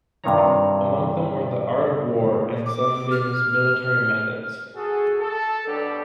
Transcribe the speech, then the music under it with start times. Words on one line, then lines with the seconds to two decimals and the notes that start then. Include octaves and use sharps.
Among them were "The Art of War" and Sun Bin's "Military Methods".
0.24 G2 C3 D#3 F4 C#5 A#5
2.66 D6
3.11 F6
4.75 F#4 G#4 A4
5.19 A4
5.66 B2 F#3 D4 G4